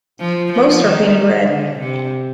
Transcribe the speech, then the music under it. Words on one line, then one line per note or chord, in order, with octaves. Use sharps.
Most are painted red.
F3
F3
D#3
D3
C3